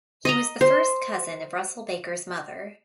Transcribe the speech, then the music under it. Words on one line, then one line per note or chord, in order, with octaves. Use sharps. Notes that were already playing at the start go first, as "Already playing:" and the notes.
He was the first cousin of Russell Baker's mother.
D#5 A#5
C5